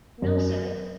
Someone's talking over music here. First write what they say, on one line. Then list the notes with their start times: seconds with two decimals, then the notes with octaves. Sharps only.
No sir!
0.22 F#2